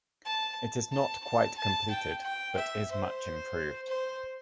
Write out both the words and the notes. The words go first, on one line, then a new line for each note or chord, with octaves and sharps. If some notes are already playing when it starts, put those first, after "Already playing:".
It is not quite completed but is much improved.
A5
A5
A5
A5
G5
G5
E5
C5
C5